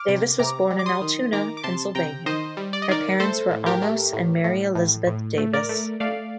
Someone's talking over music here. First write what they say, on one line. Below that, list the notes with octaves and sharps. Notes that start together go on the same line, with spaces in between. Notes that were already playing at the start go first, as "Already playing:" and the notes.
Davis was born in Altoona, Pennsylvania; her parents were Amos and Mary Elizabeth Davis.
Already playing: D6 F6
C3
C3 A#5 D6
G3
D6
C6 D#6
D#3
D#3 A#5 D6
D6
C3 A5 C6
C3 G5 A#5
D#3 C5 D#5
G3
D5
D#5
D#3 A#4 D5
A3 A4 C5
A2
G4 A#4
A3
A2
A2
A2
A2
A3
A#4 D5
A3
A3 D5 F5